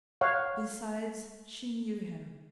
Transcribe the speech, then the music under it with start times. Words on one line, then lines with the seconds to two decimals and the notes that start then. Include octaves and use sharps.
Besides, she knew him.
0.21 C#5 F5 F#5